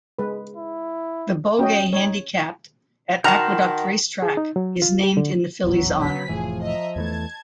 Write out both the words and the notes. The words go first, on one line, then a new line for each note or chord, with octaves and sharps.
The Beaugay Handicap at Aqueduct Racetrack is named in the filly's honor.
G#3 B4
E4
C#4 F#4 D#5 G5
D#4 C#5
D#3 F#4 A5 A#5 C6 F6 G6
G#4
D#4
F#3
F4
G4
D3
D#1 A1 E2 F#3
B3 B6
F1 A2 E3 F3 G#4
D#5 E5 A#5
E2 E3 A3 A5 G#6